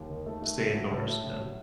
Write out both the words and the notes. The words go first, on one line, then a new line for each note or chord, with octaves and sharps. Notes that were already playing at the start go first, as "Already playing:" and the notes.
Stay indoors, yeah,
Already playing: D#2
D#3
A3
A3
A2
F#3
A2
A3
A2
F#3